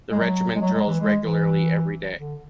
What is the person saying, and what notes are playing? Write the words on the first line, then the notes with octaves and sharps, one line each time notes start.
The regiment drills regularly every day.
G#3
F#3
G#3
F#3
G#3
E3
G#3
E3
D3